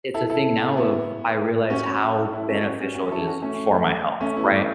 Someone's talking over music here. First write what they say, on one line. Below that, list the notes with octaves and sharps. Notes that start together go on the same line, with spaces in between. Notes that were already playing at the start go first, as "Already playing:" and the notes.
it's a thing now of, I realize how beneficial it is for my health, right?
E4 A4
E4 A4
B3 E4
C#4 F#4
E4 A4
C#4 F#4
C#4 F#4
C#4 F#4
C#4 F#4
E4 A4
C#4 F#4
A3 C#4
A3
A3 C#4
B3 E4